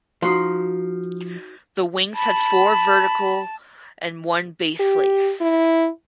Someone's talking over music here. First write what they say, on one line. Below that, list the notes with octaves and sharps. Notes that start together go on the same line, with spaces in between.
The wings had four vertical and one base lace.
F3 D#4 F#4 C6
A5 B5
G4
E4